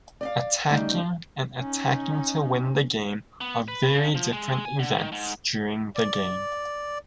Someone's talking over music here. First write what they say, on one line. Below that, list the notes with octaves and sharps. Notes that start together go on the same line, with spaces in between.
Attacking and attacking to win the game are very different events during the game.
D5 D#5 F5
C#3 G3 A3 D#4
C#4 D#4
B3
B4
C#3
F3
G#3
G#5
D3
D#3
G#2
D5